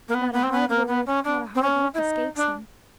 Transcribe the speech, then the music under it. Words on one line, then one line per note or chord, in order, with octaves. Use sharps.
Not a hard word, not a hard look, escapes him.
A#3
B3
B3
C4
B3
A#3
B3
C#4
D4
C4
C#4
E4
D#4
D4